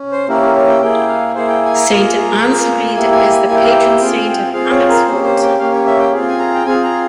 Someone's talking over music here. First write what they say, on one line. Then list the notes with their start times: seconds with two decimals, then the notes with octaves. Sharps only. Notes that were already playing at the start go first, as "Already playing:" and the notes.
Saint Ansfried is the patron saint of Amersfoort.
Already playing: C#4
0.12 C5
0.29 A#3 C#4 E4 G4 A#4
0.42 A#4
0.56 C#5
0.69 G5
0.82 A#3 E4 G#4 G5
1.08 F5
1.35 A#3 E4 G#4 C5
1.48 G5
1.65 G#5
1.75 A#5
1.88 A#3 F4 G#4
2.41 A#3 F4 G#4
2.94 A#3 E4 G4 G#5
3.12 G#5
3.30 G#5
3.47 A#3 E4 G4 G#5
3.56 G5
3.63 F5
3.71 G5
4.00 C4 F4 G#4
4.53 C4 F4 G#4 F5
4.71 C#5
4.89 A#4
5.06 A#3 C#4 G4 C5
5.24 C5
5.42 G5
5.59 A#3 C#4 G4 F5
5.72 C#5
5.86 E5
5.99 G5
6.13 C4 F4 G#4
6.28 G#5
6.39 A#5
6.55 G5
6.66 C4 F4 G#4 G#5
6.83 A#5